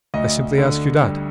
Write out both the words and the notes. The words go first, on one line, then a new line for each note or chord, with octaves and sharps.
I simply ask you that.
D2 D#5
D3
G3